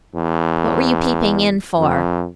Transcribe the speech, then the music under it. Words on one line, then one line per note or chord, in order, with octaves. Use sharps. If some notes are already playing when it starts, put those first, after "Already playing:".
"What were you peeping in for?"
E2
F2